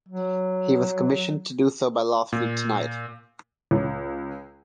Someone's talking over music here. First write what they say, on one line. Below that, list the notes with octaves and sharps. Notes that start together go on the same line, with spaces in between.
He was commissioned to do so by "Last Week Tonight".
F#3
A#2
C#2